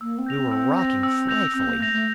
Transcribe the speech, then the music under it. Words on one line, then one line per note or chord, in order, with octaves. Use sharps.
We were rocking frightfully.
A#3 E6
C4
G6 A#6 F7
C4
E6
G6 A#6 F7
E6
G6 A#6 F7
C4 E6
A#3
A3 G6 A#6 F7
A3